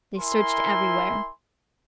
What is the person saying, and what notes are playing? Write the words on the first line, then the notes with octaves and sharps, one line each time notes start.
They searched everywhere.
E4 A#4 E5 G#5 B5 C6